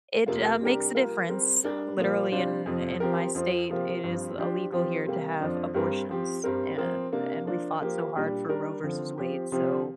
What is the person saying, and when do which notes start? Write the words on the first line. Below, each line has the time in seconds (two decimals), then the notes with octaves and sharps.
it, uh, makes a difference. Literally, in in my state, it is illegal here to have abortions, and and we fought so hard for Roe v. Wade, so
0.26 F2 C3 A#3 F4
0.61 C3 G3 D4 G4 A#4
0.95 G3 A#3 F4 A#4
1.29 G3 C4 A#4
1.64 G3 D4 A#4
1.97 A#2 F3 A#3
2.32 C3 G3 D4 F4 C5
2.66 F2 C3 F3
3.00 F3 C4 G4 A#4
3.35 F2 F3 C4
3.70 C3 F3 A#3 G4
4.04 G2 F3 C4
4.38 F3 D4 G4 C5
4.72 F3 C4 G4
5.06 C3 G3 A#3 G4
5.40 F2 F3 D4
5.74 G2 G3 C4 A#4
6.09 F3 C4 G4
6.44 G2 G3 C4 A#4
6.78 F3 C4 A#4
7.12 C3 A#3 D4
7.46 F3 A#3 D4 F4
7.81 F3 A#3 G4 A#4
8.15 A#2 G3 D4 G4
8.49 G3 D4 A#4
8.83 D3 F3 C4
9.18 F3 C4 G4
9.52 C3 F3 C4 G4